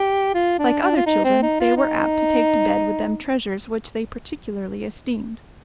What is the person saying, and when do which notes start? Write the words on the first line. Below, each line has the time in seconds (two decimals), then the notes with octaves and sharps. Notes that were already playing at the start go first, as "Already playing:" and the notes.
Like other children, they were apt to take to bed with them treasures which they particularly esteemed.
Already playing: G4
0.34 F4
0.59 D4
0.82 D4
0.96 F4
1.06 D#4
1.24 C4
1.43 D#4
1.60 F4
1.77 D#4